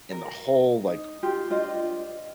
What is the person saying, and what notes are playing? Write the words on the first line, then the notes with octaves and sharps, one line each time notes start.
and the whole, like,
A#4
D#4
F4 G4
D4 F4 C5 D#5